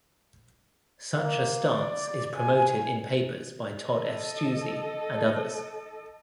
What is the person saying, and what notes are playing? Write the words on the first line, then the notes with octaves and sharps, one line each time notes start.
Such a stance is promoted in papers by Tod F. Stuessy and others.
A#3
D5
G#5
A4 D#5